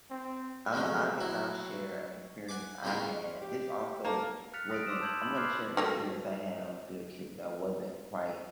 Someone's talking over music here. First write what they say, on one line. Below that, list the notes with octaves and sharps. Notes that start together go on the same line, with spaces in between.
I'm I guess I'll share an experience I had. This also wasn't I'm gonna share an experience I had on a field trip that wasn't quite
C4
D3 F3 F#3 G#3 A3
F#3 E4
F#5 G#5 D6
C2 C#3 B3 F4 A#4 F5
G4
A#3 A4
F6 F#6 A6 B6 C#7 F7
D#6 A#6 B6 D7
C6 D6 E6 B6 E7
A5 G6 G#6 F#7
B5 F#7
C6 D6 F6 F#6 G#6 C7
F#3 A3 A#3